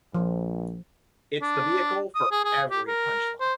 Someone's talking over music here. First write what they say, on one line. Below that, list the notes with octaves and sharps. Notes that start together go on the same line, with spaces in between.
It's the vehicle for every punchline.
A#1 F3
D4
D#6
G#4
G#4
G4
A#4
C5